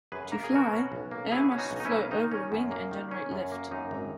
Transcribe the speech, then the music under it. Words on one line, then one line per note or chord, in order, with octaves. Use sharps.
To fly, air must flow over the wing and generate lift.
F#2 G#4 B4
A#3 A#4
G#4
B2 F#4 A#4
C#4
B1
A#3
B2 E4 G#4
C#4
D#4 F#4
B1
D#4
C#4 E4
A#3
D#3 D#4
C#4
F#2
A#3
D#3
C#4
F#2
A#3
F#2 D#4
G#1